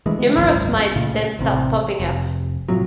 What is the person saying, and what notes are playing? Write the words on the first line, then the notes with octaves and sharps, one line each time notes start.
Numerous mines then start popping up.
D2 E3 G#3 A3
G#1 C#2 F#2 C#4
C#2 A#2 C#3 A3
A1 C3
F1
A2 C3 F3 F#3